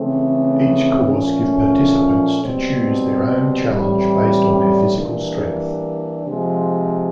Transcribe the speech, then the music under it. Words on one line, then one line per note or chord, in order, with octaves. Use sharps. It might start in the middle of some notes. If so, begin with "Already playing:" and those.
Each course give participants to choose their own challenge based on their physical strength.
Already playing: C#3 E3 A3 C4
A#2 F3 A3 C#4
B2 G3 C4
A2 E3 G3 C4
E3 G3 A#3 D4
C3 F3 G#3